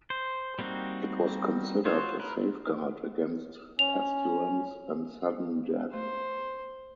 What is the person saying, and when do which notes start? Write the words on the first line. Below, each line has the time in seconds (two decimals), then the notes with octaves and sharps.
It was considered a safeguard against pestilence and sudden death.
0.10 C5
0.59 G3 A#3 C4 D#4 F#4
1.85 F4 F#4 C5 C#5
2.20 A#4 B4
3.79 C#4 F7
5.94 A3 C5